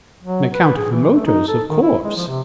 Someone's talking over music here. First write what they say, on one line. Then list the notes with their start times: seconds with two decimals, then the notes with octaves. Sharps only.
"On account of the motors, of course."
0.23 F#3
0.54 B4
0.76 G#4
0.91 E3
1.15 A3
1.26 D#4
1.48 A4
1.68 D#3
1.82 E4
2.04 G#3
2.16 F3
2.28 C3